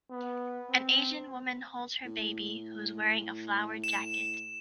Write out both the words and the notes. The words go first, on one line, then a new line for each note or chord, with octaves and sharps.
An asian woman holds her baby, who is wearing a flowered jacket.
B3
C4
A2
E7